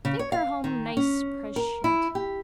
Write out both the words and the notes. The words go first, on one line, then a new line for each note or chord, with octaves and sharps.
Take her home nice preshent.
C#3
C#5
F5
D#3
C#4
A#4
E4
G4